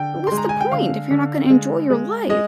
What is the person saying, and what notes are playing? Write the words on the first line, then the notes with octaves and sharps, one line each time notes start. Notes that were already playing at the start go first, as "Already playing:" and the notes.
what's the point if you're not gonna enjoy your life?
Already playing: D3 G5
G#3 C6
A#5
G#5
G5
D3 F5
D3
G#3
G#3
G#3 D#5